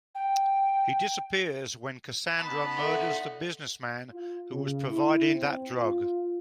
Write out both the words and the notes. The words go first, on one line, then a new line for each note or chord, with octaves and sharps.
He disappears when Cassandra murders the businessman who was providing that drug.
G5
B3 D#4 A5 B5 C#6
F4 A4 D5 E5 F#5
F4
C#3
E4
C4
F4